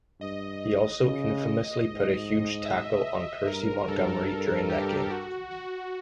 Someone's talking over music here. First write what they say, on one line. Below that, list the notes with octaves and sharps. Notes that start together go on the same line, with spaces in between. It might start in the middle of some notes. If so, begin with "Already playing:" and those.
He also infamously put a huge tackle on Percy Montgomery during that game.
G2 D#5
C#3
G#2
E5
G2 A#4
G2 A4
G4
F#4
F#4